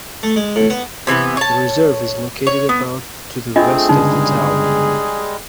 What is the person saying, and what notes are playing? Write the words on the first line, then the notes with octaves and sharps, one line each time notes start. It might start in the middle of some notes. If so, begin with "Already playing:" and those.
The reserve is located about to the west of the town.
A3
G#3
A2
B3
C3 E3 A3 B3
C#5 A5
C#5
B3
A3 C4 D4 F4 G#4 D#5
G1 C#2 G3 G#3 D#4